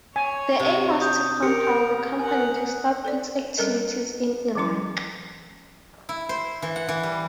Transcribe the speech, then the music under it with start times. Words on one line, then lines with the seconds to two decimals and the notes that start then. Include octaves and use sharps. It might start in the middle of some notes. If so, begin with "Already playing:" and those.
The aim was to compel the company to stop its activities in Iraq.
0.16 C#5 G#5
0.59 C3
1.01 D#6 G6
1.43 G4 A#4 C#7
2.19 A#4 F#5 G#5
3.05 A4 C5 D5
3.57 G3 C#4 A4 A#4 D#5
4.55 E3 F#3 C#4 E4 C6
6.09 E4
6.29 C5
6.62 E3
6.76 F#5
6.89 E3
7.03 G3